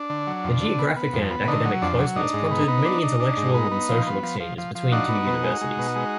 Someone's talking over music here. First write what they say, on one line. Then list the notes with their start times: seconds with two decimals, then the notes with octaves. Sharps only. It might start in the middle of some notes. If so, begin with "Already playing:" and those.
The geographic and academic closeness prompted many intellectual and social exchanges between two universities.
Already playing: D4
0.10 D3
0.27 F#3
0.44 F2
0.62 D3
0.79 B3
0.96 B3
1.13 F2
1.31 B3
1.47 D3 D#4
1.65 F#3
1.82 F2 D4
1.99 F#3
2.16 D4 D#4
2.33 G#2
2.51 B3
2.68 B3
2.85 D4
3.03 D4
3.20 D4
3.37 G#2
3.54 B3
3.71 B3
3.89 F3
4.07 B3
4.23 F3
4.40 F3
4.58 F3
4.75 F3
4.92 D4 D#4 F#4
5.09 B3
5.26 B2
5.44 G#3
5.61 G#3
5.79 B2
5.96 G#3